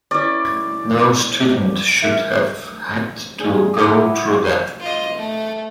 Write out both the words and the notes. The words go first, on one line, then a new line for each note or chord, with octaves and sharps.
No student should have had to go through that.
C#4 E4 D5
A#4 E5
D4 G#4
E4 F#5 D6 D#6
F4 D#5
A3